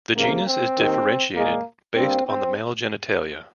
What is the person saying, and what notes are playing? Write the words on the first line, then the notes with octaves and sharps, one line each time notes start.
The genus is differentiated based on the male genitalia.
C#2 C3 F3 A#3
C4
D#2 D#3 A#3
A#2 G#3 A#3
G2 G3 A#3 C4
C4